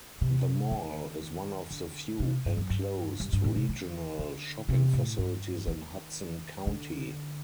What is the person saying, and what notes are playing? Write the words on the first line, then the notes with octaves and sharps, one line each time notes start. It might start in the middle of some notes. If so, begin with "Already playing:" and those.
The mall is one of the few enclosed, regional shopping facilities in Hudson County.
C3
D#3
D3
C3
G2
F#2
G2
G2
G2
A2
C3
D#3
D3
C3
A2
G2
D#3
D3